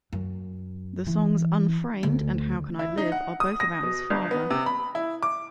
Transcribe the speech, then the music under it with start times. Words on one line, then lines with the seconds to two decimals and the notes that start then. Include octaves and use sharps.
The songs "Unframed" and "How Can I Live" are both about his father.
0.13 F#2
1.07 E3
2.03 D2
2.79 E4
2.98 D#4
3.12 F#5
3.40 D#6
3.60 A#6
3.83 B2
4.10 G1
4.31 B3
4.50 C3
4.66 B5
4.95 E4
5.23 D6